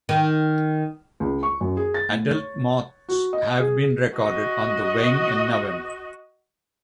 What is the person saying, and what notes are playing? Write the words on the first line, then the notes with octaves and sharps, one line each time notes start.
Adult moths have been recorded on the wing in November.
D#3
C#2
C#6
F#2
G#4
A6
A2
C#5
F#4
D#5
G#4
F#4 D#5